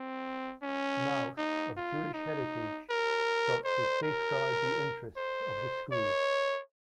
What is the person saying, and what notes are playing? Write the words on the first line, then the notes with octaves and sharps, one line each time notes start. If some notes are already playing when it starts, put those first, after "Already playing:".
Mauss, of Jewish heritage, sought to "safeguard the interests" of the school.
Already playing: C4
C#4
D#4
F4
D#4
A#4
C5
A#4
C5
C#5